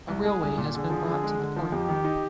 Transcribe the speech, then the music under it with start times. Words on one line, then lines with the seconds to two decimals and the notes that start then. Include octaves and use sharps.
A railway has been brought to the port.
0.08 C2
0.25 G#3 G#4
0.42 C2
0.58 A#2
0.74 D3 G#4
0.90 F3
1.07 D3
1.23 G#3
1.39 D3
1.57 F3
1.72 F2 G4
1.89 D#3
2.04 D#4